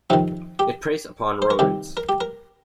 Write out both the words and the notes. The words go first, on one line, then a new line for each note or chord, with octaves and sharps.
It preys upon rodents.
F2 C3 D#3 D#4
G4
C5
A#4
C2 C3 D#3 G4
A#4
G4
A#4